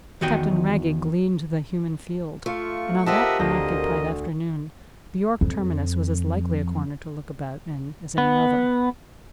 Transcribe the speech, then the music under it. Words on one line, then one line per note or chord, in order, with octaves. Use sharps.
Captain Wragge gleaned the human field, and on that unoccupied afternoon the York terminus was as likely a corner to look about in as any other.
E2 D#3 F#4 D#5 G5
A3 F4 C#6
C4 F4 G4 A#4 D#5 E5 F#5 A5
D2 C5 D#5 A#6
F2
B3